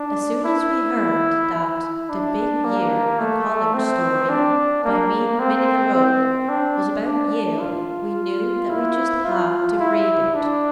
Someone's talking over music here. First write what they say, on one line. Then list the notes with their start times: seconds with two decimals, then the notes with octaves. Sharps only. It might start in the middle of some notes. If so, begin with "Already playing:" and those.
As soon as we heard that "The Big Year--A College Story" by Meade Minnigerode was about Yale we knew that we just had to read it.
Already playing: D4
0.44 E4
1.54 E4
2.10 D4
2.65 A#3
3.20 A3
3.74 C4
4.30 D4
4.84 A#3
5.40 C4
5.94 C4
6.49 D4
7.04 D4
7.59 F4
8.70 E4
9.24 F4
9.79 E4
10.35 D4